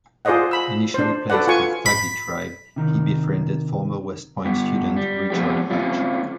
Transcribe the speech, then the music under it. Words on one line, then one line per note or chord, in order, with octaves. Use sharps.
Initially placed with Tagi tribe, he befriended former West Point student Richard Hatch.
F4 G#4 C5 D5 D#5 F#5
B5 E6
D4 C5
F#4 A4 B4 D5 F#5
F4 G#5 C#6
B5
C3 D#3
G2 B3
G3
F3 A3 B3 C4 E4 G4
A#3 C4 C#4 E4 F4